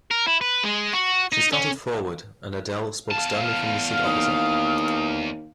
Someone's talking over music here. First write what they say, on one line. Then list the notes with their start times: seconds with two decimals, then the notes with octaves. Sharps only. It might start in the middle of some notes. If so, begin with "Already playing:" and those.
She started forward, and Adele spoke sternly from the seat opposite.
0.11 A#4
0.27 E4
0.41 B4
0.64 G#3
0.93 F#4
1.32 D#4
1.52 C#4
3.11 E2 F5 A5
4.05 D#2 D#6